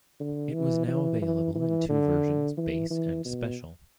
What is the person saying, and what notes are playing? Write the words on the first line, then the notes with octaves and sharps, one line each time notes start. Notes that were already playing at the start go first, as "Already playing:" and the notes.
It was now available in two versions, base and Special.
D3
E3
E3
E3
E3
D3
E3
E3
B2